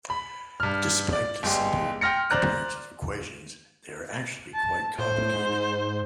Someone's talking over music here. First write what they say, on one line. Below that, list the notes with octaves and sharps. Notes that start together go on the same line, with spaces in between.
Despite the simple appearance of the equations they are actually quite complicated.
B5
G2 F6
D5
G1 G#3 G4
G5 C6 F6 A#6 C#7
C5 D5 A#5 F#6
A5
A2 C5
G#2